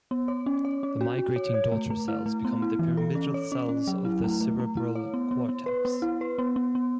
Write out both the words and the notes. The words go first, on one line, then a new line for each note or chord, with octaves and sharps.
The migrating daughter cells become the pyramidal cells of the cerebral cortex.
B3
C#5
C#4
C#5
C#4
F#4
F#4
C#5
C#5
A3
A3
E4
A3
B3
E4
E3
A4
C#4
C#5
C#4
C#4
F#3
E4
A3
A3
A3
E4
C#5
B3
B3
B3
B4
B3
E4
B4
B3
B3
B3